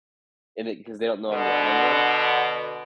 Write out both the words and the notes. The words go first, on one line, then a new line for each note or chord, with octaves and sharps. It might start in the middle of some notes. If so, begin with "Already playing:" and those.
and it 'cause they don't know I'm behind them,
B2 D3